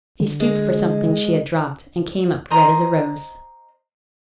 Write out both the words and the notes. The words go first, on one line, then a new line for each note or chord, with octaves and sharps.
She stooped for something she had dropped, and came up red as a rose.
D3
G#3
C5 D#5 A#5 C6